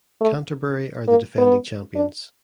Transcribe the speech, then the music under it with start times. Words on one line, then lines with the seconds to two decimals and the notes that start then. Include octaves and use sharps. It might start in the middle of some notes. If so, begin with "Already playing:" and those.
Canterbury are the defending champions.
0.21 A3
1.08 A#3
1.38 B3
1.95 D4